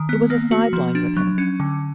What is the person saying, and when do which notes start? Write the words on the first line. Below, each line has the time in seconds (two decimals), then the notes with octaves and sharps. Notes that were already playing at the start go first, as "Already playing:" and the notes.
It was a sideline with Him.
Already playing: D#3
0.09 B3
0.30 A#3
0.51 F#4
0.73 F3
0.95 D4
1.17 F#3
1.38 C#4
1.60 D3